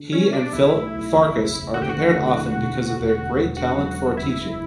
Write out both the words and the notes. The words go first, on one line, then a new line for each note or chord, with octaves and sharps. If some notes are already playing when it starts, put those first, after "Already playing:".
He and Philip Farkas are compared often because of their great talent for teaching.
Already playing: D3
G3 C#4
D4 F#4
B1 E4
A2
B1
F#1
E2
F#1
D2 F#4
G4
F#4
D3
D2
E2
B2
B3
E1
D2
E1
D3 F#4
F#3
D3
F#1 E4
F#2